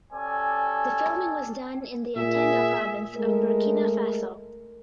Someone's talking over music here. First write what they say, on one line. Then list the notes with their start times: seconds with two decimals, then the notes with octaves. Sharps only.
The filming was done in the Yatenga Province of Burkina Faso.
0.13 C#4 G4 A4 D5 G#5
2.16 A#2 G#4 E5
3.16 G#3 A3 A#4